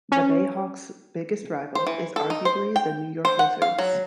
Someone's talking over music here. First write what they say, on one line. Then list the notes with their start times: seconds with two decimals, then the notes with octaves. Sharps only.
The Bayhawks' biggest rival is arguably the New York Lizards.
0.12 C#4
1.75 C5
1.87 E3
2.16 A4
2.30 D#4
2.45 C5
2.76 G5
3.25 C5
3.39 F#5
3.62 F5
3.79 F#3